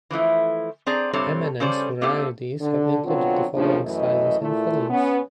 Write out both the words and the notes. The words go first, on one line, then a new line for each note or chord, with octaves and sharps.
M and M's varieties have included the following sizes and fillings.
E3 F3 A3 E4
C4 G#4 D5 A#5
G2 C3 G3 C4 A4 C#5
C#3 G3 C#4 A4 C5 D5
A3 A#3 C4 D#4 G4 A4
D3
B2 D3 F#3 C4 F4
D#2 A2 C#3 F3 A#3 D4
F#2 E3 A3 D#5
A#2 A3 E4
B3 C#4